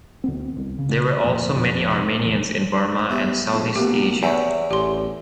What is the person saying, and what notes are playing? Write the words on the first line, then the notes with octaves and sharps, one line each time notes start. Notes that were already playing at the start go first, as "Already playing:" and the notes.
There were also many Armenians in Burma and Southeast Asia.
D2 B3 C4
C2
C#3
D1 F2 A#2
F1 A#1 F2
F1 E2
E2 E4 G4
F2 G#2 F3
A1 B2 A#3 G4
E2 C#5 E5 G5
A1 G4 C6